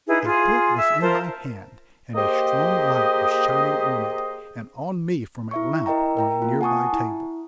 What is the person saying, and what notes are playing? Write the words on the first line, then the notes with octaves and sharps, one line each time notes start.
A book was in my hand and a strong light was shining on it and on me from a lamp on a near-by table.
D#4 E4 G#4 B4
F4 G#4 C6
E5 E6
F4 A#4 C5 A5
A#3 G4 G#4 C5 D#5
E4 E5 C#6
E4 A#4 D#5 G5 A#5
A#4 G5 A#5
A#3 F4
F#5 G#5 A5 C#6 D#6
E4